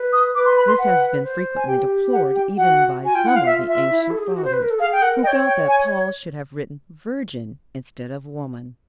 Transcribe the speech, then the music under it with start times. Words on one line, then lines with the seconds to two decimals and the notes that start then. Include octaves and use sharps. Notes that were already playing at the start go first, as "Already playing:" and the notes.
This has been frequently deplored even by some of the ancient fathers who felt that Paul should have written "virgin" instead of woman.
Already playing: B4
0.13 D#6
0.35 B4 D6
0.46 C6
0.57 B5
0.68 C6
0.79 B4 F#5
1.24 C5
1.56 G#5
1.67 G4 G5
2.12 F#5
2.35 G5
2.57 F#4 F#5
3.01 F#4 G#5
3.14 F4 G5
3.25 E4 F#5
3.36 F4 F5
3.46 E5
3.68 E5
3.90 E4
4.11 A4
4.18 G#4
4.27 G4
4.35 F#4
4.45 C5
4.53 B4
4.62 A#4
4.71 A4
4.79 G#4 F5
4.92 G5
5.02 A#4 F#5
5.23 D#5 G5
5.28 C#5
5.46 G5
5.68 G#5